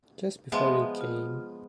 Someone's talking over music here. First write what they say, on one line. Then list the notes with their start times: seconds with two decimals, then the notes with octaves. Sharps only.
Just before you came.
0.52 F3 G#3 B3 E5 C6
1.01 F4